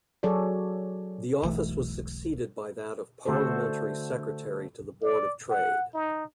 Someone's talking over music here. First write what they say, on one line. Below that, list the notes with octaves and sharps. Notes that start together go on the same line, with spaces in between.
The office was succeeded by that of Parliamentary Secretary to the Board of Trade.
F#3 G#4 A4 C#5 D5
E1 B1 E3 A3
D3 A3 F#4 A4 C5
D5
F#5
D#4